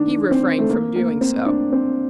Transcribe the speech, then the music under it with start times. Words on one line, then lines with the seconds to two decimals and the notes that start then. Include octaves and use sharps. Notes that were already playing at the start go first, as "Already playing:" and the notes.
He refrained from doing so.
Already playing: D#3 D4
0.31 C4
0.59 A3
0.70 A#3
0.96 A#3
1.21 C4
1.46 D4
1.72 C4